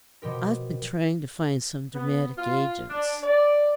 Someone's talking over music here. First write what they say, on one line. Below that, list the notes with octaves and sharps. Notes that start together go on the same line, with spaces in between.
"I've been trying to find some dramatic agents."
B2 F3 G4 A#4
B3
F4
D4
D5